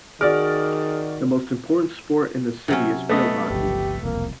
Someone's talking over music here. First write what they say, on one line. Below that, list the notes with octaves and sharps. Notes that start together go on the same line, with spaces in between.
The most important sport in the city is field hockey.
D#3 F#4 G#4 D5 F6
C3 F#3 C#4
A3 B3 D#5
G1 C#2 F3 G4
E1 C2 F2 A#3